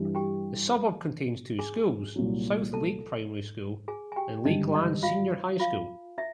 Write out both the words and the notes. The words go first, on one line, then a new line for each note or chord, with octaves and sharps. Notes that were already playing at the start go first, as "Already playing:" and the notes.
The suburb contains two schools: South Lake Primary School and Lakeland Senior High School.
Already playing: G2 E3 G3
G4 G5
G#4 G#5
C2 A#2 F#3
A4 A5
G#4 G#5
G#5
G4 G5
G#1 G2 D3 G3 D#4 D#5
D#4 D#5
F4 F5
F4 F5
E4 E5